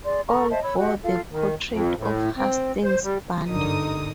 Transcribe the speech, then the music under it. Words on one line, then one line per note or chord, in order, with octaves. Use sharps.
All bore the portrait of Hastings Banda.
G#4 D5 C6
A4 A#5 C#6
C5 D#5 E5 A5
C#5 B5 E6
F#4 G4 D#5 F#5
F4 A4 F5
D#3
F2
A2
C4
C5
G3
G#1 G2 D3 D#4 A#4 D#6